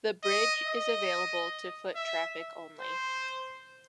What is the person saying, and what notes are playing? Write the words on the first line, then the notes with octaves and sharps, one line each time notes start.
The bridge is available to foot traffic only.
D#5
D#5
E5
C5